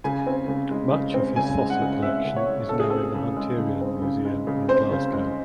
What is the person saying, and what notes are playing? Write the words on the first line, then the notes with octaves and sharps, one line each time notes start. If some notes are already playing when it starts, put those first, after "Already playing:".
Much of his fossil collection is now in the Hunterian Museum in Glasgow.
C#3 G#5
C4
C#3
G#3
C#3
C4
C#3 G#5
G#3
F#5
C#3
C4 E5
C#3
C#5
G#3
C#3 A4
G#4
C4 A4
G#4
C#3
G#3
C#3
C4
C#3
G#3
C#3
C4 C5
C#3
G#3